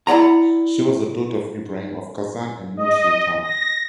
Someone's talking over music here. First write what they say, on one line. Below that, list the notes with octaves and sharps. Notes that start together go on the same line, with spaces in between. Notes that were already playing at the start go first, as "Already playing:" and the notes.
She was the daughter of Ibrahim of Kazan and Nur Sultan.
E4 D5 F#5 A#5
D#5
A#6